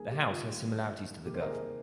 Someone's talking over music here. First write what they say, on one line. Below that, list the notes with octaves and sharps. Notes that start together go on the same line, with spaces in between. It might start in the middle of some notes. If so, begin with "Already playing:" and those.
The house has similarities to the Gov.
Already playing: D#3 G3 A#3 G#4 A#4
G4
F4
D#3 G3 A#3
C3 D#3 A#3 G4
C5
A#4
G#4